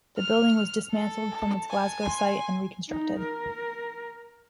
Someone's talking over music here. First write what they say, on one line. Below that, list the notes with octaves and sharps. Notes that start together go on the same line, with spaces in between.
The building was dismantled from its Glasgow site and reconstructed.
F6
A4
A5
G#5
C6
D#4
A#4